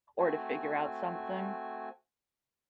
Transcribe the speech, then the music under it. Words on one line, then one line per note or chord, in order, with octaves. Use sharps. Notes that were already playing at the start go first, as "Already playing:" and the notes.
or to figure out something,
A3 C4 F#4 G#5